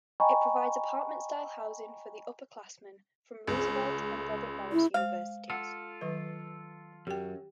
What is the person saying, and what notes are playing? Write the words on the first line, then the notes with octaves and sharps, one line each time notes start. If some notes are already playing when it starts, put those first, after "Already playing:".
It provides apartment-style housing for upperclassmen from Roosevelt and Robert Morris Universities.
D#5 G5 G#5 A#5 B5 C#6
C#2
E4
G#3 C5 F5
F4 A4 F#5
D#3 F#3 B4
F#2 G4 G5